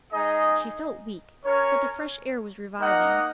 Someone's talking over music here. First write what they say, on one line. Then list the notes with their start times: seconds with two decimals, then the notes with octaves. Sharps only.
She felt weak, but the fresh air was reviving.
0.11 G#3 D#4 G#4 D#5
1.44 C#4 A#4 C#5
2.78 A#3 D#4 A#4 D#5 F#5